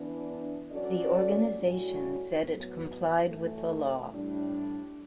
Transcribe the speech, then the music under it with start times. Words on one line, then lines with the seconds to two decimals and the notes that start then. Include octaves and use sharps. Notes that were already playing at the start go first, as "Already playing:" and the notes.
The organization said it complied with the law.
Already playing: E3 B3 D4
0.71 F#3 C#4 F#4 A4 D5
1.56 A2 G3 C#4 F#4
2.42 A2 F#3 B3
3.26 F#2 E3 A3
4.12 A2 G3 D4